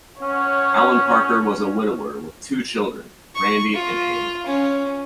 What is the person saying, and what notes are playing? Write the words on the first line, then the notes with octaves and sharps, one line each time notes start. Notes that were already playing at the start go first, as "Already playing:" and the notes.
Alan Parker was a widower with two children, Randy and Ann.
C#4 C#5 F#5
C#6
F4
C#4